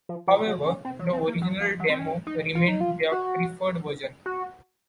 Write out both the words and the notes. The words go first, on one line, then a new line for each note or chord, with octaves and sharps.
However, the original demo remained their preferred version.
F3
F3
F#3
C#4
C4
F#3
C4
A#3
F#3
F3
F#3
C4
C#4
D#4
F4
D#4
F4
F#4
F#4